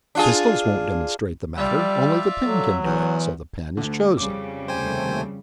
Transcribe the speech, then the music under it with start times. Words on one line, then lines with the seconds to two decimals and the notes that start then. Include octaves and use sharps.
Pistols won't demonstrate the matter; only the pen can do it, so the pen is chosen.
0.15 D4 F4 G#4
1.56 G3 F4 D5 E5
2.44 F#3 A4
2.83 E2 E3
3.77 D2 D3
4.17 F2 C#3 G3 D6
4.68 D#2 C3 A3 C5 G5 G#5